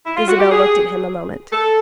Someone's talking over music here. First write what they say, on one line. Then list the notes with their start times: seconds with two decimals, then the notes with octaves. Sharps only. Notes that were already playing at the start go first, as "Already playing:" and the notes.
Isabel looked at him a moment.
0.05 E4
0.16 F4
0.28 F#4
0.39 G4
0.51 G#4
1.52 A4